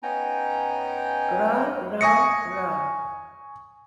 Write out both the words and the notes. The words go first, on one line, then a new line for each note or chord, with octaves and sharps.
Rah, rah, rah!!!
B3 C#4 D#4 G5 G#5 A#5
G#5 C#6 D#6 A#6 C#7